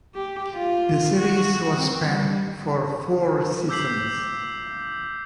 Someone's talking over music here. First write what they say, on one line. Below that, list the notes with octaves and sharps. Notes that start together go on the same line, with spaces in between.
The series was spanned for four seasons.
G4
F4
F#4
C4
G3
D6 E6 G6 B6 C7 F#7